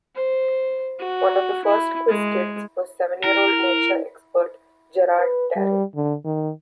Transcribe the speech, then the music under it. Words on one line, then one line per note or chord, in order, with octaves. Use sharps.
One of the first Quiz Kids was seven-year-old nature expert Gerard Darrow.
C5
F#4
E4
G#3
E4 A#4
B4
G3
D3
D#3